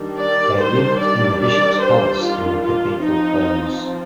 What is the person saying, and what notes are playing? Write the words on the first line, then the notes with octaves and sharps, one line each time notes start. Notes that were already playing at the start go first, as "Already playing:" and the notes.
They lived in the Bishop's Palace in the Cathedral Close.
Already playing: D#3 G3 D4
D5
C5
D5
D5
C5
F4
F4
F3 C4 D#4